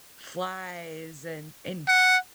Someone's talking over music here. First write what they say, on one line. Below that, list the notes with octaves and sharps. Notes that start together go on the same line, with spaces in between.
flies and and
F#5